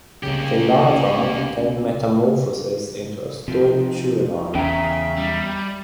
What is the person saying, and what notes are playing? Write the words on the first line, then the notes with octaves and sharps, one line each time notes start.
The larva then metamorphoses into a stalked juvenile.
C2 C#3 A#3 C#4 G4
C3 F3 C4 D#4
E2 C#3 E5 G5 A#5
G3